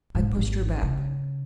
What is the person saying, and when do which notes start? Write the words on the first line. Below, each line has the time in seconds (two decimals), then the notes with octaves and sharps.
I pushed her back.
0.15 G#2 B2
0.36 G#1 D#2
0.83 C#3